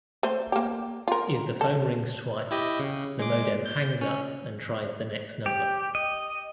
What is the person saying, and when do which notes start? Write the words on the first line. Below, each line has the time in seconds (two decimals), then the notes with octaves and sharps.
If the phone rings twice, the modem hangs up and tries the next number.
0.23 A3 C5
0.52 A#3 G4
1.08 F4 A#4
1.61 A4
2.51 E4 G4 D#5
2.79 C#3
3.19 G#3 D6
3.66 G6
4.01 C#4
5.46 G4
5.95 D#5